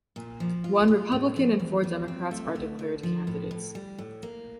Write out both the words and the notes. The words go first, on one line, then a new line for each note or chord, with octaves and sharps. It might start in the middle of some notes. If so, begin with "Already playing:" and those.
One Republican and four Democrats are declared candidates.
A#2
F3
F4
F4
A2
F3
E2
F3
C4
A3
D3
D3
F3
A2
A2
G3
A2
A#3